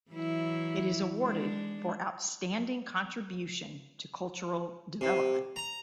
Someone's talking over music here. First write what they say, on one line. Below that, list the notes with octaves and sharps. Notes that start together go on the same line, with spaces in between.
It is awarded for "outstanding contribution to cultural development".
E3 F#3 E4
G#3 D4
C3
A#5